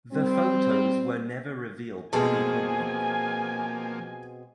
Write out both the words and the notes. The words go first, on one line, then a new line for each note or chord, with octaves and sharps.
The photos were never revealed to the public.
G3 C4
B2 F3 G#3 A#3 C4 G#4 A4 G#5